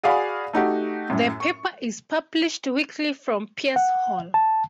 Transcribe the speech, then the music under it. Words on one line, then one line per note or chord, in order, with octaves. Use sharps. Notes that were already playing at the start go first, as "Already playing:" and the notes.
The paper is published weekly from Peirce Hall.
F#4 G#4 D5 F5 G#5 B5
A3 D#4 F#4 G4
F#2 A2
C#6
F#5
A5